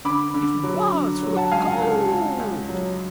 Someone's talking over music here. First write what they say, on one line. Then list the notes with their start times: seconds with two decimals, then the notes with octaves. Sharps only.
It was full of gold.
0.05 D3 B5 D6
0.34 D3
0.64 F#3
0.93 D3
1.23 F#3
1.36 F#5 A5
1.51 C#2 F5 G#5
1.67 F#5
1.81 C#2
2.11 C#2
2.39 C#2
2.69 F#3